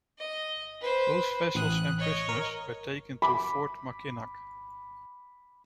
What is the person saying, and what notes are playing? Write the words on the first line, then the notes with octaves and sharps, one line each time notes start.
Both vessels and prisoners were taken to Fort Mackinac.
D#5
B4 C5
A1 D#6 F#6
C#5 D#5
A#4
B5 D6